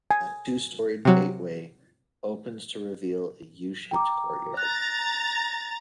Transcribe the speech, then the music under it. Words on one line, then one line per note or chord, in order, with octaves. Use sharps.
A two-storeyed gateway opens to reveal a U-shaped courtyard.
G#5
C3 F#3
G5 A#5 D6
A#5 F#6 A6